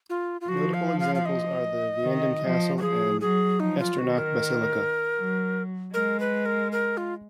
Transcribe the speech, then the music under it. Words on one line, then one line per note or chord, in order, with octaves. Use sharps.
Notable examples are the Vianden Castle and the Echternach Basilica.
F4
F4
F3 F#4
F5
F5
F5
D#5
D#3
F3
F#4
F3 G#4
F#3 G#4
F3 D#4
F4
D#3 F#4
A#4
F#3
G#3 A#4
B4
A#4
A#4
F4